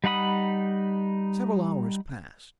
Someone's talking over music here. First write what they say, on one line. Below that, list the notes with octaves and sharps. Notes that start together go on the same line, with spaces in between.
Several hours passed.
G3 D#4 F#5 B5 D#6